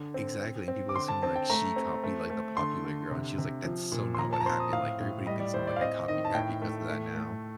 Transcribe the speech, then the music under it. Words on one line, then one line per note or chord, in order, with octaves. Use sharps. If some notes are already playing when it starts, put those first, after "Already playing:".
copied exactly, and people assume that, like, she copied, like, the popular girl. And she was like, "That's so not what happened. Like, everybody thinks I'm, like, a copycat because of that now."
Already playing: D3
C4
C4
C4
D6
D3 C6
A5
C4 A5
G5
A3 A#5
C4
A3
A3
D3 C6
D3
C3
C3
F3
A#2
C6
F3 A#5
A5
A#5
C4 C6
D#6
A2 F5
A2
G3 D#5
D5
A2 C5
D5
F5
C4 D#5
D#3 D#5
A5
A2 G5
A3
A3
A3